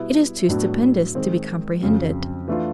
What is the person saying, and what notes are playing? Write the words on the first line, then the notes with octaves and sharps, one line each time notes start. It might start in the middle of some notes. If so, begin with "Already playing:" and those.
It is too stupendous to be comprehended.
Already playing: B2 G3 B3 E4
A2 F#3 B3 D4
D#3 G#3 C4
F2 C#3 F#3
E3 A3 D4 F4